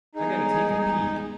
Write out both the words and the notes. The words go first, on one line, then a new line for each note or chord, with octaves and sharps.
I gotta take a peek.
G3 G#3 B3 D#4 G#4